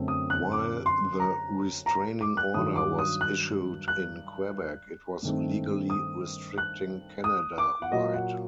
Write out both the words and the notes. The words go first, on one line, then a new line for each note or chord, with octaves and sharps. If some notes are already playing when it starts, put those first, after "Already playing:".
While the restraining order was issued in Quebec, it was legally restricting Canada-wide.
Already playing: F#2 D3 A3 C4
D#6
F#6
D6
C6
A#5
A#5
D6
F#6
G2 D#3 F#3 D#6
D6
D#6
F#6
F#6
G2 D#3 A3 C4
D#6
F#6
D#6
D6
F#5
A#2 F#3 A#3 D#5
F#5